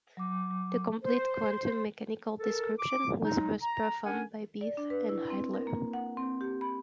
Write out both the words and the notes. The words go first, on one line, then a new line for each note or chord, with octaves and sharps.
The complete quantum mechanical description was first performed by Bethe and Heitler.
F#3 D6
C5
A4 A#4
D6
F#3 G#3 D#4
A#5
C#4 D4 A#4 F#5 G#5
D5
D4
B4
E4
C4
A#4
A#3
F#5
C4
G4
B5